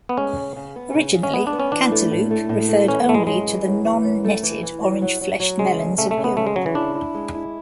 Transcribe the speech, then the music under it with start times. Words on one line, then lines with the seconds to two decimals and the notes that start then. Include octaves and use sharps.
Originally, "cantaloupe" referred only to the non-netted, orange-fleshed melons of Europe.
0.09 B3
0.17 G#3 C#4
0.36 C#3
0.56 C#3
0.76 B3
0.94 C#3
1.14 C#3
1.23 C#4
1.34 G#3 B3
1.47 D4
1.53 B3
1.60 C#4
1.72 E3 D4
1.92 A3
2.11 A2
2.31 A3
2.49 A2
2.69 A3
2.88 E3 C#4
3.08 A2 A3
3.14 G#3
3.27 F#2 G#3
3.47 E3
3.66 F#2
3.85 E3
4.04 F#2
4.24 A3
4.43 E3
4.63 E3
4.82 F#3
5.02 F#3
5.21 F#3
5.40 F#3
5.59 C#3 G#3
5.79 D2
5.98 C#3 A3
6.11 A3
6.17 C#3
6.24 B3
6.36 C#3 A3
6.47 G#3
6.56 C#3 F#3
6.66 E3
6.75 D4 E4
6.95 E4
7.14 G#3
7.34 E4